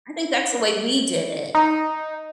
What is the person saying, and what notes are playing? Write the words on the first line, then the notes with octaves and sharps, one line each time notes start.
I think that's the way we did it.
D#4